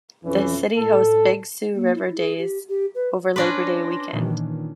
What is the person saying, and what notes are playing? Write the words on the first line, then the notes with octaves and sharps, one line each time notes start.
The city hosts "Big Sioux River Days" over Labor Day Weekend.
B1 F2 E3 C#4
A2 A4
A#3
E4
G#4
G4
G4
B4
C#4 D4 B4 C6 D6 A#6
A#2 D#3 E3